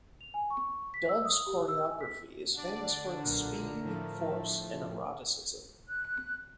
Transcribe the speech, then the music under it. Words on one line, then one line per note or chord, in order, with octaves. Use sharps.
Dove's choreography is famous for its speed, force and eroticism.
F7
G#5
C#6
B6
E6
D#6
G4
E6
G#5
B6
D3 D4 D5 F#5
B1 A#2 A#4
A2 F3 A3
F#6